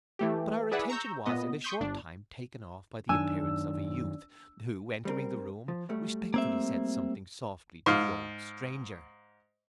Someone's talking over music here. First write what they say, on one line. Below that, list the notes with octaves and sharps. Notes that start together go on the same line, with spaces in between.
But our attention was in a short time taken off by the appearance of a youth, who, entering the room, respectfully said something softly to the old stranger.
E3 A3 G4
E4 G#4 B4 D5 E5 F#5
A#5 C#6 E6 G6
A#2 B3 D#5
C6 C#6 D#6 G6 B6
G1 D4
F#2 D#3 D4 G#5 E6
G3 C4 A#4
F3
F#3 G3 A3
A#3 C4 E5
G#2 F5